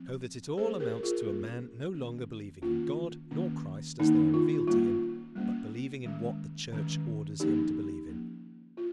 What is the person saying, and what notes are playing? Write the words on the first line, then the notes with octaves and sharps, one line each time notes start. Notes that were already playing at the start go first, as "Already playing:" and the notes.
So that it all amounts to a man no longer believing in God nor Christ, as they are revealed to him, but believing in what the Church orders him to believe in.
Already playing: F3 C4
G3 A#3 C#4 G#4 C5
G4 A#4
F4 G#4
G3 A#3 C#4
D#3 A#3 C#4
D#3 A#3 C#4 F4
D#3 A#3 C#4
D#3 A#3 C#4 D#4
F4
G3 A#3 C#4 F4
G3 A#3 C#4
D#3 G#3 C#4
D#3 G#3 C#4
F3 A#3 C#4 D#4 G4
F3 A#3 C#4
F4